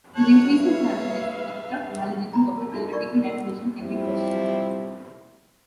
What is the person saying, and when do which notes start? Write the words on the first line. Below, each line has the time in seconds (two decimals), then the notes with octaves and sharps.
With increasing challenges, the construct validity of a theoretical definition can be questioned.
0.16 C#5 A5 C#6 F#6
0.55 B4 E5 F5
2.33 A#5 B5
2.57 A#4 A5
2.72 D4 D#4 F4 F#4 A4 E5
2.93 D#4 F4 A#4 D5 C#6
3.25 A#4 E6
3.80 F3 G3 C4 E4